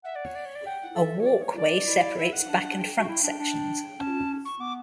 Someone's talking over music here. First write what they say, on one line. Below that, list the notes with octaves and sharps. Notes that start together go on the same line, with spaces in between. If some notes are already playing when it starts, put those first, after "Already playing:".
A walkway separates back and front sections.
E5 F#5
D5
C#5
D5
C#5
D5
F#5 G5
F#5
A4 E5
C#5
D5
C#5
D5
E4
E5
F#5
D4
G5
F#4
E4
D4
D4
C#4 A5
C#6
B3 D6